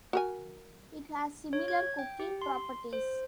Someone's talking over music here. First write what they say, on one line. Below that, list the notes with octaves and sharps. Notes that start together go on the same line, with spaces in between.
It has similar cooking properties.
F#4 A#4 G#5
C#5
G#6
G5
G4
C6
C5